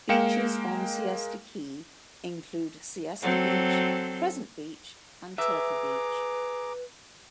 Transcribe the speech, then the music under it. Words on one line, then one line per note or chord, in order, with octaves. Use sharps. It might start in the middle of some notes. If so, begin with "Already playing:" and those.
Beaches on Siesta Key include Siesta Beach, Crescent Beach, and Turtle Beach.
G#3 A#3 F5 G5 C#7 E7
F#3 C4 A4
G#4 B4 E5 A#5 D6